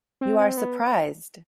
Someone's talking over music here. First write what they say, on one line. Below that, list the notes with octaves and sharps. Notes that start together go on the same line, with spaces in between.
You are surprised.
C4
C4
B3